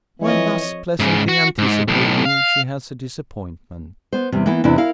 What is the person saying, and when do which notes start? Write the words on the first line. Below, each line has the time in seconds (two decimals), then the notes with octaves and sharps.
While thus pleasantly anticipating, she has a disappointment.
0.21 F2 E3 C#5 D#5
1.00 G#2 C#3
1.28 F#4
1.58 G#2
1.88 B1 A2
2.25 F5
4.13 B3 C5
4.32 E2 C3 G3
4.46 E3 A#3 B3 E4
4.64 E2 C3 D4 E4
4.78 E4 A#4 F5